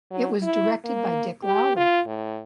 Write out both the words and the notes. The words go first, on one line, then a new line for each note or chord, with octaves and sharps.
It was directed by Dick Lowry.
F#3
E4
A#3
G4
F4
A2